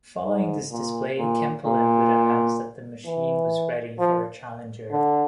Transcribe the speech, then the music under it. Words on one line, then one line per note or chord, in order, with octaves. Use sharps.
Following this display, Kempelen would announce that the machine was ready for a challenger.
G#2
A#2
A#2
A#2
E3
F3
D3